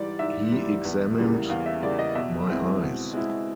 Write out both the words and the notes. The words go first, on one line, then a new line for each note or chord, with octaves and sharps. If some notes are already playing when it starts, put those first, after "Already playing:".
He examined my eyes.
Already playing: G#2 E3 G3 D5
G#2 E5
E3 G3
E2
C#3 E3 G3 A#3
E2 F5
E5
C#3 E3 G3 A#3 D5
D#5
B2 E5
G#3 C4 E4
B2
G#3 C4 E4